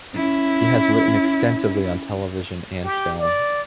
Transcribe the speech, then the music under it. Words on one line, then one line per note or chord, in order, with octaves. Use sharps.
He has written extensively on television and film.
C#4 E4
G4
D5